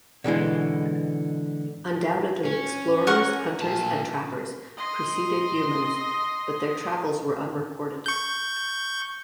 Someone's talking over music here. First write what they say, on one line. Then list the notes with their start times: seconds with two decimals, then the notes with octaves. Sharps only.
Undoubtedly explorers, hunters, and trappers preceded Youmans, but their travels were unrecorded.
0.24 B2 D3 E3 G#3
2.45 C#4
3.07 A#4 F#5 C#6
3.61 A#2 A5
4.77 D#5 C6
8.06 C#6 G6